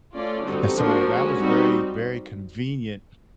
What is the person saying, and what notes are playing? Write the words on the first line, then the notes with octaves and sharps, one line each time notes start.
and so, that was very, very convenient,
A3 C#4 F4 A4 D5
D3 G3 C4 D#4 F#4
F3 A#3 D4 F#4 A#4
G#3 C#4 F#4
G3 C4 D#4 F#4